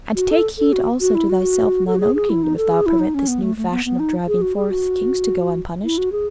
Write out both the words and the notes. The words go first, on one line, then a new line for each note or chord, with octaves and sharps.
And take heed also to thyself and thine own kingdom if thou permit this new fashion of driving forth kings to go unpunished.
F#4
A4
A4
F#4
F#4
E4
F#4
A4
F#4
G#4
G#4
E4
D#4
A4
G#4
E4
D#4
C#4
B3
A3
A3
B3
B3
D#4
G#4
F#4
G#4
F#4
E4
F#4
G#4